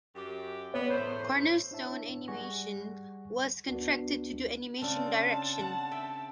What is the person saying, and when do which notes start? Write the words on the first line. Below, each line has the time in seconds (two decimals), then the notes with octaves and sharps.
Cornerstone Animation was contracted to do animation direction.
0.15 F#2 G4
0.74 B3 C#5
0.91 E2 A3 C5
1.71 D4 E4 C#5 E5 A5
2.28 G3 G#4 F#5 G#5 C#6 A#6
3.66 D2 B3 D4 F#4 C7
4.81 C#3 C4 D4 A5
5.61 F#5
5.91 E5 G5